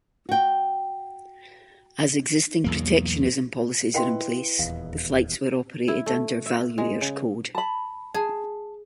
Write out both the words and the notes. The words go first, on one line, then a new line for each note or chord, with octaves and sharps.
As existing protectionism policies are in place, the flights were operated under Valuair's code.
F#4 G5
B1 E2 A#3
E4 B4 D#5 F5 G5 C6
D#1 E2 F5
E4
A3
E5
G#3
C#3
A5 B5
G#4 A5